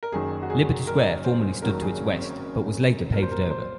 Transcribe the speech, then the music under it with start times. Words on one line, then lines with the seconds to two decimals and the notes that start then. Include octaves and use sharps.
Liberty Square formerly stood to its west but was later paved over.
0.03 A#4
0.12 F#1 F#2 D#3 G#4
0.43 F#4
0.50 G#4
0.87 A#4
1.24 C5
1.62 F#1 F#2 D#3 F#3 A#4
1.82 G#4
2.00 C#4
2.11 C4
2.22 C#4
3.12 C2 A#2 F#3 A#4
3.23 C5
3.31 A#4
3.51 C5